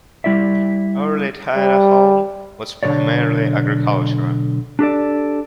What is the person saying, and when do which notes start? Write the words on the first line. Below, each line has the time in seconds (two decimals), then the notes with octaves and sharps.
Early Tidaholm was primarily agricultural.
0.24 G3 E4 D5 E5
1.56 G3
2.83 B1 D3 D#3 A4 C#5 D5
4.79 D4 G4 A4 D5